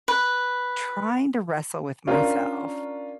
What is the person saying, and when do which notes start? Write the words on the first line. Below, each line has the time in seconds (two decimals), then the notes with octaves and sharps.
trying to wrestle with myself
0.08 B4
2.07 C#4 D4 F4 A#4